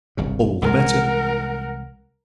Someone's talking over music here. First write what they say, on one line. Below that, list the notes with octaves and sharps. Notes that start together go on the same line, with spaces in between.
All the better.
G1 C2 C#3
C2 E3 G#3 A#4 F#5